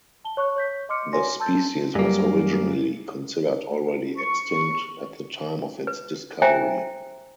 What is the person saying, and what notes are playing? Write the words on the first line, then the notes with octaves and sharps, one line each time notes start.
The species was originally considered already extinct at the time of its discovery.
A5 G7
C#5 C#6 F#6
C#5 G6 B6
D#5 C6 D6 F6 C#7
F#4 C#5 D5 G#5 C6 A#6
A5 C6 E6 G6 A6
F#2 G3 A#3
C#6
B4
C5 E5 G5 G#5 A#5